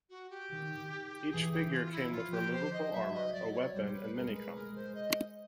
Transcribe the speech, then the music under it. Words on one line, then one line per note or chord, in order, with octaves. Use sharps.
Each figure came with removable armor, a weapon and mini-comic.
F#4
G4
D#3
E3 G#4
G4
F4
F4
E4
F3 F4
G4
C5
D#5
F#3 E5
D#5
F#3 D5
C#5
G3 C5
C5
B4
G#3 A#4
B4
G#3 A#4
C5
D#5